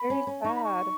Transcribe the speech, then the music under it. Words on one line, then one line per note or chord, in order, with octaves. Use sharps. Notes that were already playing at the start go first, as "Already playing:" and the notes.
very sad.
Already playing: B5
C#4
C#4
D#4 C#6
B5
C#6